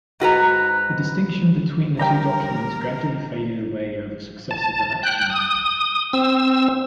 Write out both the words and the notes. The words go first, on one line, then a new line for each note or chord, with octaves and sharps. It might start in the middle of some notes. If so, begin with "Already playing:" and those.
The distinction between the two documents gradually faded away over successive elections.
G#2 F#4 B4 A#5
G3 G4 A#4 G5 A#5
A5
G5 F#6
D#6
C4 E6